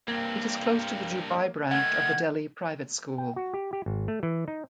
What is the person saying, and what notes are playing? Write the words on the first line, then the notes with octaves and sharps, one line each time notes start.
It is close to the Dubai branch of the Delhi Private School.
G2 A#3 C4 G#6
D#3 A3 F#5 G#6
G5
F#4
G4
G4
G#1
A3
E3
D#4